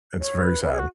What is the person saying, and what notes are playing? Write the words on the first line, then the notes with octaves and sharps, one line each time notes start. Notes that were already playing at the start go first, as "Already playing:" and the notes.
It's very sad.
C#5
B4
B4
G#4
F#4